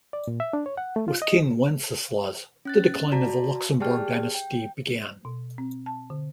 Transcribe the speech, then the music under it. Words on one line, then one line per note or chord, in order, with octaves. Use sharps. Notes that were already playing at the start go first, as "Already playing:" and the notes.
With King Wenceslaus, the decline of the Luxembourg dynasty began.
D5
A#2
E5
D4
C#5
F#5
A3
F4
D#5
C#4 F#6 A6
F#4 D5 A5 A#5
G4 G#4 D5 G5 A5 F6
G5
B2
C4
A5
D3